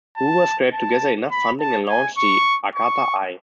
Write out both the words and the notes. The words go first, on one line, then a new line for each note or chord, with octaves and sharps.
Hoover scraped together enough funding and launched the "Arcata Eye".
A5
A5
B5
A5
G#5
C#6
C#6